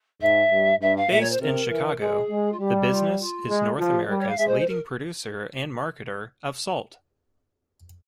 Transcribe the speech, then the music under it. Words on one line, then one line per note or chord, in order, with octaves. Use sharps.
Based in Chicago, the business is North America's leading producer and marketer of salt.
G#2 E5
G2
G2 E5
F5
A#2 E5
C#5
C5
C3 A#4
E3
G#3 G#4
G#3
F4
G3 G4
F4
F4
G#3
F3 F4
G4
G#4
G3 A#4
C#5
F5
G#3 E5
C5
C5
A#4